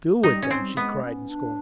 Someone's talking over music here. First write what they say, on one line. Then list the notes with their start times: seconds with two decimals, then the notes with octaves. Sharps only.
"Do with them!" she cried in scorn.
0.23 G3 D#4
0.43 C#4
0.51 C4
0.59 G3
0.76 G#3 B3
1.03 C#4
1.30 D4